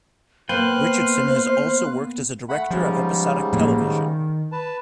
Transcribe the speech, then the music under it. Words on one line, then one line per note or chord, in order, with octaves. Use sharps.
Richardson has also worked as a director of episodic television.
B2 A#3 B4 C5 F5 G5 C6 F#6
A3 F#5 B5
G#2 C#3 F3 G3
A2 F3 A#3
D#3
B4 A5